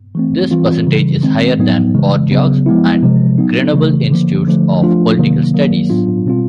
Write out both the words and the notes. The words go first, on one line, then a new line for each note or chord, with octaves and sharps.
This percentage is higher than in Bordeaux and Grenoble Institutes of Political Studies.
E3 A3 C4
E3 G3 C4 F4
C#3 E3 G3
D#3 G#3 C4
A2 F#3 B3 D#4
C#3 E3 G#3
C#3 F#3 B3
F3 G#3 B3 E4
C3 F3 G#3
F#3 B3 D#4
C#3 E3 A3
D3 F3 A#3
D3 F3 A3
F3 A3 D4 F4
C3 D#3 F#3 A#3
D#3 F#3 A#3
A2 F#3 B3 D4 F4
B2 G3 C4 F4